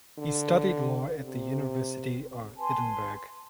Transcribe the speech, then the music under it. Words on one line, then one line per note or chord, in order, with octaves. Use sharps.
He studied law at the University of Edinburgh.
D3
C3
B4 G#5 A5 C6